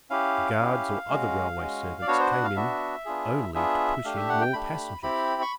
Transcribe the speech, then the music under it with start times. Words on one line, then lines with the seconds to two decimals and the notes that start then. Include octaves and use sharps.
The guards or other railway servants came in only to push in more passengers.
0.10 C#4 E4 G4 F5
0.59 C#4 E4 G4
1.08 G#3 C#4 F#4
1.57 G#3 C#4 F#4
2.02 D5
2.07 B3 D4 F#4 C#5
2.19 C5
2.32 F#5
2.44 F5
2.56 B3 D4 F#4 E5
3.05 B3 D4 F4 G#4
3.55 B3 D4 F4 G#4 E5
4.04 A3 D4 G4 F5
4.17 E5
4.29 F#5
4.41 G5
4.53 A3 D4 G4 B5
5.03 C4 E4 G4 B5
5.42 C#6